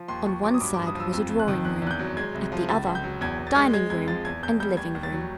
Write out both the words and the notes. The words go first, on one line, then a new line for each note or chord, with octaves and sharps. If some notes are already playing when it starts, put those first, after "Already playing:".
On one side was a drawing room, at the other, dining room and living room.
Already playing: F3
D#2 C6
D#2 C#6
F#3 D6
D#6
G2 D6
G2 D6
D#6
F3 E6
F2 E6
F2
F#6
D#3
E2 F#6
E2
F#6
G6
F#3
G#3 G#6
C2
F3
C#2 A6
C#2
G6
F#3
E2 G#6
E2
A6
G#3
G#3 G#6
F2 G#6
F3 A6
E2 G#6
E2 G6
G3 G6
D#2 G#6
D#2
A6
F#3